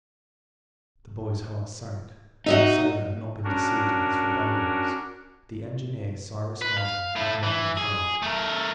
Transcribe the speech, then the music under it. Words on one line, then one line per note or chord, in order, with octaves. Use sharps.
The boy's heart sank; the sailor had not been deceived in his forebodings; the engineer, Cyrus Harding, had not been found!
D#4 F#4 D#5 E5
C#4 D4 F#4 A#4
B4
F5
A3 E4
E3
G#4
A3 A#4